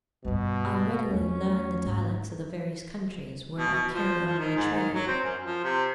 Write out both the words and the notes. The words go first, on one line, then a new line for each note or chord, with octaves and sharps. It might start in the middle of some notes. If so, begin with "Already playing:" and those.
I readily learn the dialects of the various countries where I carry on my trade.
G2 B2 G3
E2 A3 C#4
G#2
B2
B2
F3
F3
D#3
G#2
D#3
F#3
C4
F#2
F3
C3